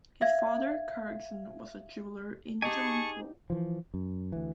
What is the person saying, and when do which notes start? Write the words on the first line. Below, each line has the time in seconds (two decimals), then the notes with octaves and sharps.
His father Kharagsen was a jeweller in Jaunpur.
0.21 E5 F5 G#6
2.62 D#4 G4 G#4 G#5 A5 C#6
3.50 E3 F3
3.94 F#2
4.32 D2 E3